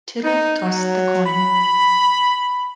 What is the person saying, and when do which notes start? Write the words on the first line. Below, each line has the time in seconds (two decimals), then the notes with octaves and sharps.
Tittle tossed the coin.
0.23 D#4
0.64 F#3
1.26 B5